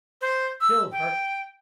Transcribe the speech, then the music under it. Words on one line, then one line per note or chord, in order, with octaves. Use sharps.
Kill her!
C5
E6
G5